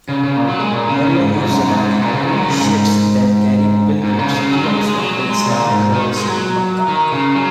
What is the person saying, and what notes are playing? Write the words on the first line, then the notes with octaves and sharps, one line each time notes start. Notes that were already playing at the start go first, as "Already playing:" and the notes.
Mariam-uz-Zamani owned ships that carried pilgrims to and from the Islamic holy city Mecca.
C#3
C#3
A#2
F#3
G#3
A#2
C#3
C#3
G#2
G#2
F#2
G#2
G#2
G#2
A#2
C#3
D#3
G#3
F#3
C#3
G#2
G#2
C#3
C#3
F#3
G#3
G#3
G#3
F#3
F#3
G#3
A#2
G#2
D#3
G#3
F#3
D#3
C#3
F#3